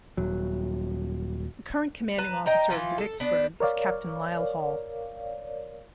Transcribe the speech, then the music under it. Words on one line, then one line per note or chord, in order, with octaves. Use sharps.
The current commanding officer of the "Vicksburg" is Captain Lyle Hall.
D#1 F#3
B4 A5 A#5
D#5 G5 A#5
E3 F3 F4
A4
B3 D4
A#4 C#5 D5 F5